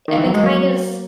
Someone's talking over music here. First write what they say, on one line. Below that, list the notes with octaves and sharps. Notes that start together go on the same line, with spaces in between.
I've been kind of,
D#3
E3
F#3
G#3
F#3 A#3